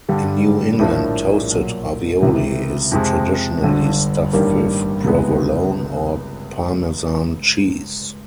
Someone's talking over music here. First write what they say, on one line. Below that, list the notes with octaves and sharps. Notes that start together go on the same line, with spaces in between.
In New England, toasted ravioli is traditionally stuffed with provolone or Parmesan cheese.
G2 D3 G3
A#1 A2 F3 A#3 D4
B1 A#2 F#3
C#2 C3 E3
F2 C3 F3 G#3
G1 G2 D3
A1 G2 D#3 G3 A#3
C#2 C3 F3 G#3 B3